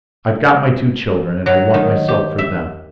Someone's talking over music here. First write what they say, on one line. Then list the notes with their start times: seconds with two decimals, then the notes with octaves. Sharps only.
I've got my two children and I want myself for them.
1.46 F#3
1.74 D#3
2.08 G4
2.38 E5